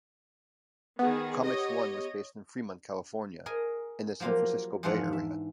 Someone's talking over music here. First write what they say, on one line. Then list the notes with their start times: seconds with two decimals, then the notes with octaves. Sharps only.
ComicsOne was based in Fremont, California, in the San Francisco Bay Area.
0.99 D#3 B3 G#4
1.42 G4 C#5 D#5
3.46 G#4 A#4 D#5 G#5
4.20 F3 F#3 A#3 F4 G4
4.83 F2 G#2 E3 D4 F4 F#5
5.13 E5